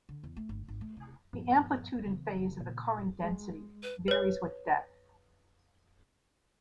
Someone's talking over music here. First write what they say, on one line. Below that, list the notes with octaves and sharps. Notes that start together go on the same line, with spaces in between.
The amplitude and phase of the current density varies with depth.
D3
E2
A3
G1
G#1
A3
C2
G2 A#2 F3 B3
C#3 E3
A#2
G#3
B4
B4 C#5